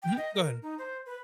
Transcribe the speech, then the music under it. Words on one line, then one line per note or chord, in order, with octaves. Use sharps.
Mhm, go ahead.
G5
D#5
A#4
D#4
C5
B4